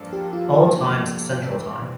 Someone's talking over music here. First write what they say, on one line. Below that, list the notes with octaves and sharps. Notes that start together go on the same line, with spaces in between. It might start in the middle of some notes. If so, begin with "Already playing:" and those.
All times Central time.
Already playing: G2 F3 A#3 D4 A4
G4
F4
G4
E3 G3 C4